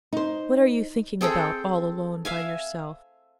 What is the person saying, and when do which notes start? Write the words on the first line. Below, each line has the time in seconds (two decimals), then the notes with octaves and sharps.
What are you thinking about all alone by yourself?
0.13 D#4 C5
1.21 C4 G#4 A4 G5
2.25 E5 F5 G#5